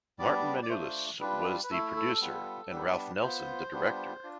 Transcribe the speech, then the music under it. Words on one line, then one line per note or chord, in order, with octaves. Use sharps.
Martin Manulis was the producer and Ralph Nelson the director.
G3 B3 D4 D5
D5
A3 D4 F4 C5
G3 D4 F4 B4
B4
A3 E4 A4
A4
G3 B3 F4
G3 B3 D4
B3 F4 C5
G3 B3 D4 F4
D4 F4